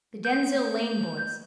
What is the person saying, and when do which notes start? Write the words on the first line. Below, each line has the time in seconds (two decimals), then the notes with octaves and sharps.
The Denzille lane boys.
0.25 G6